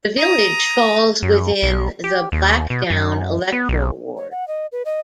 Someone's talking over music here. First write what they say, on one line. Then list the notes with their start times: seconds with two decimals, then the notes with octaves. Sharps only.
The village falls within the 'Blackdown' electoral ward.
0.18 A#5 D#6
1.22 F#2
1.62 B1
2.04 G4
2.32 D#2
2.70 B2
2.90 F#2
3.52 B3
3.69 B1
4.17 C#5
4.31 F#5
4.48 D#5
4.72 B4
4.85 D#5